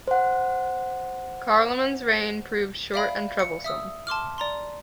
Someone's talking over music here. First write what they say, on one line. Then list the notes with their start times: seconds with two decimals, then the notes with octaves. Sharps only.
Carloman's reign proved short and troublesome.
0.08 C5 F#5
2.94 D5 E5 F5 G5 B5
3.39 C#7
3.64 E5 D#6 E6
4.07 A5 C6 D6 F6
4.38 D5 A#5 C6